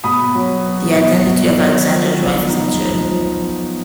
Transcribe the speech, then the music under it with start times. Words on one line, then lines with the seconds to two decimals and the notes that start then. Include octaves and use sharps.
The identity of Alexander's wife is uncertain.
0.04 B2 B5 D#6
0.35 F#3
0.66 B3
0.95 B2
1.26 B2
1.57 F#3
1.88 F3
2.18 B3
2.49 D#4
2.81 F3
3.11 F3
3.42 B3